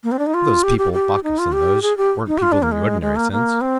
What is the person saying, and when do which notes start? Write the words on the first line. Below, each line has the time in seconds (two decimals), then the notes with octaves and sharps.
But those people, Bacchus and those, weren't people in the ordinary sense.
0.04 A#3
0.12 C4
0.19 D4
0.26 D#4
0.34 F4
0.63 G4
0.78 G4
0.93 G4
1.24 D#4
1.39 F4
1.53 G4
1.82 G#4
1.97 G4
2.27 D#4
2.38 G4
2.42 F4
2.52 D4
2.63 A#3
2.72 G#3
3.01 G#3
3.16 A#3
3.32 A#3
3.61 C4